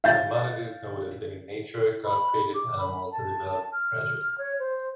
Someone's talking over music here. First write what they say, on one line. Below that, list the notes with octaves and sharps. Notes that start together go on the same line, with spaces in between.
Maimonides noted that in nature, God created animals that develop gradually.
F5 G6 A6
B5
D6
B5
A5
F6
C#5
C5